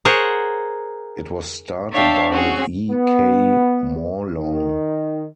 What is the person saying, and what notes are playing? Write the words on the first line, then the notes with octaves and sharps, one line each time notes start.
It was started by E. K. Mawlong.
G#4 A#4 C5 C#5 F#5
D4 C#5 E5 F5 G5 A5
C4 C#4 F#4 G#4
B3
D#3